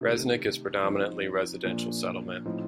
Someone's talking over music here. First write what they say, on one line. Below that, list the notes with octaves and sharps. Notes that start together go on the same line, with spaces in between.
Resnik is predominantly residential settlement.
C3 D#3 A3
F3 C4 D#4
A#2 F3 A#3 D4
A2 F3 C4 D#4